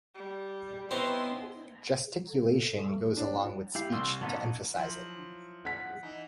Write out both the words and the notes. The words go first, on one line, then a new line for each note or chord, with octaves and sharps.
Gesticulation goes along with speech to emphasize it.
G3
B3 C4 D#4 E4 C#5 C6
A4
D4 C#5
E4 G4 F5
C2 C6 E6
A1 F#3 B3 D#4 A5
F3 F#3 E4
F#5 B6
E3 D#4